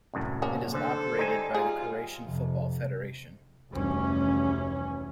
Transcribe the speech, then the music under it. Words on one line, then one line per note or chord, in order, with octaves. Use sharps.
It is operated by the Croatian Football Federation.
C2 F#2 A2
A#3 C#4
D3 A4 C5
G3 D#4 C5 G#5
F4 G#4
F2 C3
F1 D2 E3 G3 C#4